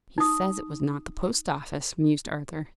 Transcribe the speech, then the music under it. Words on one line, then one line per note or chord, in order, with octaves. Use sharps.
"He says it was not the post-office," mused Arthur.
D#4 D#6